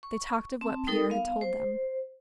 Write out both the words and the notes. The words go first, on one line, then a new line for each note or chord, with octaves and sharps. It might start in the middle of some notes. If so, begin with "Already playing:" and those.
They talked of what Pierre had told them.
C#6
C4 A5
G3 D#4 A4 A#4 D#6
B3 F5
C5